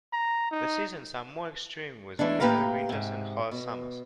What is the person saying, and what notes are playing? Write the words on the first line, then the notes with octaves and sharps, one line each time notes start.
The seasons are more extreme with bitter winters and hot summers.
A#5
D#4
E2 E3 G#3 A3 D4
A2 A#3 G4 B4 F5 A#5
G#2 C3
B2